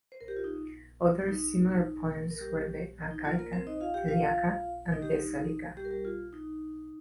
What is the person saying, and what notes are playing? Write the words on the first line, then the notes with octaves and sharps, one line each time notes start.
Other similar poems were the "Achaica", "Eliaca", and "Thessalica".
C5
A#4
G4
F4
D#4
D#4
A#4
G3 G4
D#4
F4
A#3 A#4
C4 C5
D#4 D#5
F4 F5
G4 G5
F4 F5
D#4 D#5
G3 G4
D#4
G3 G4
A#4
G3 G4
F4
D#4